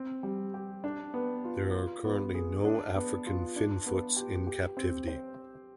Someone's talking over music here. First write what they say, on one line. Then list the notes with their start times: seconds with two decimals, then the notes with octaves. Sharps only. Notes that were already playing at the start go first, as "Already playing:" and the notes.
There are currently no African finfoots in captivity.
Already playing: C4
0.23 G3
0.54 G4
0.84 D4
1.14 B3
1.44 F4
1.74 F4
2.04 B3
2.35 G#4
2.65 D4
2.95 B3
3.26 F4
3.56 D4
3.86 B3
4.16 G4
4.47 G4
4.77 C4
5.07 C5